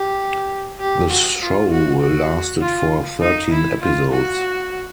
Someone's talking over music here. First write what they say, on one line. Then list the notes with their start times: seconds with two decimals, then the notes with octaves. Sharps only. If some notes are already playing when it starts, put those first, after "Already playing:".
The show lasted for thirteen episodes.
Already playing: G4
0.80 G4
1.10 F#4
1.41 F4
1.71 F#4
2.01 F#4
2.61 F4
3.21 D#4
3.52 E4
3.82 F4
4.12 F#4